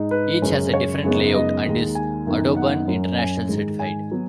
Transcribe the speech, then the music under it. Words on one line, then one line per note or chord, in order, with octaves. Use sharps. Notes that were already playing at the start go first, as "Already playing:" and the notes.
Each has a different layout and is Audubon International certified.
Already playing: G#2 G#3 D#4
B4
F#2 C#3 G#3 C#4
C#5
F#2 C#3 G#3 B3 D#4
D#5
D#2 D#3 G#3
G#5
F#2 D#3 B3 D#4
F#5
F#2 F#3 C#4
G#5
G#2 D#3 G#3
G#5
F#3 B3